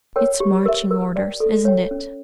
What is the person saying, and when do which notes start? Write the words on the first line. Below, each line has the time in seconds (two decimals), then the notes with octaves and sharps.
"It's marching orders, isn't it?"
0.16 A#4 C#5 G5
0.40 G4
0.66 A#4 E5
0.91 A#4
1.16 D5 G5
1.40 A4
1.65 C#5 G5
1.91 C#4